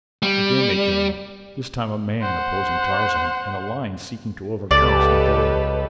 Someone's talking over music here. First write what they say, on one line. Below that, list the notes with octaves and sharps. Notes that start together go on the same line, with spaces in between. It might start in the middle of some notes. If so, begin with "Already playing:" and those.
Again they came, this time a man opposing Tarzan and a lion seeking to overcome Smith-Oldwick.
G3
C5 F#5
C#2 G4 A4 B4 D5